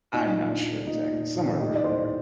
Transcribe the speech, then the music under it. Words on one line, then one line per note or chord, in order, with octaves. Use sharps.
I'm not sure exactly, somewhere around there,
A#2 D#4
A#2
D4
A#2
A#2 D#4
A#2
A#2
A2 D#4 G4
D5
A2 C5 D#5